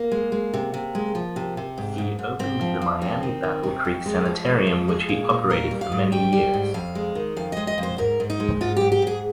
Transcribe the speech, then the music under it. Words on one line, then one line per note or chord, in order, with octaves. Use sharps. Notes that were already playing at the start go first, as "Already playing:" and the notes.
He opened the Miami Battle Creek Sanitarium which he operated for many years.
Already playing: A#3
G#3
G#3
C3
C3
G#3
F3
C3
C3
G#2
G#2
G#2
G#2 C4
F3
F3
F2 C4
D#3
D#3
C3
F2
G#3
F3
G#3
F3
G#3 G#4
A#2
A#2
G3 A#4
G3
F5
G#2
G3 G5
G3
G#2
F2 F5
G#3
D#3
F2 F5
G#3 D#5
D#5
F2
C5
G#2 A#4
G#2
D#4
G#3
G#2 F4
G#2 G4
G4
G#2 G#4